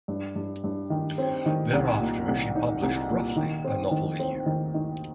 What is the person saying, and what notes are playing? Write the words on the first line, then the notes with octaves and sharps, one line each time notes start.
Thereafter, she published roughly a novel a year.
G2
G2
G2
D#3
C4
D#3
C2
A#2
C2
D#4
C2
A#2
D#3
C4
D#3
C4
D#3
D#3